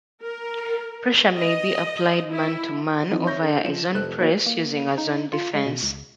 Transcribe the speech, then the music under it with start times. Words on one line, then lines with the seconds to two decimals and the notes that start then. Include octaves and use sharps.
Pressure may be applied man-to-man, or via a zone press using a zone defense.
0.22 A#4
1.36 D#5
2.31 E4
3.11 E3 F3 C4 D#4
3.25 C#5 E5 C#6 G6 A#6
3.41 D4 A4
3.64 F3 E7
3.94 F1 G4 A4 C5 F#6
4.18 F#3 A#3 D#4 F#4 B4 C#5
4.46 A#3
4.98 D#4
5.33 F4
5.54 G#3
5.66 B2
5.83 C#2